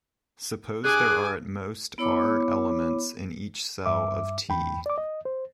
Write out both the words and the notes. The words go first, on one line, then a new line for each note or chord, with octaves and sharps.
Suppose there are at most "R" elements in each cell of "T".
G2 G#4 G#5 D6 F#6
B3 E4 C#5 B5 D6
G2 E5 D6
E2 G5 B5
D5 D6
D#5
C5